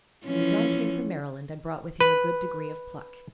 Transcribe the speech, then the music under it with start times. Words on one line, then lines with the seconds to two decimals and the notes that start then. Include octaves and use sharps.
John came from Maryland, and brought with him a good degree of pluck.
0.25 E3 F3 C#4
2.00 B4